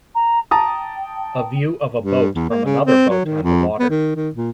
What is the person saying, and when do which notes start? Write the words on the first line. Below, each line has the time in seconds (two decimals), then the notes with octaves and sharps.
A view of a boat from another boat on the water.
0.15 A#5
0.51 G5 A5 A#5 D#6
2.00 G2
2.35 E2
2.49 A#3
2.65 C#3
2.85 C4
3.10 F#3
3.24 D#3
3.42 F2
3.79 B3
3.90 D#3
4.16 D#3
4.35 A#2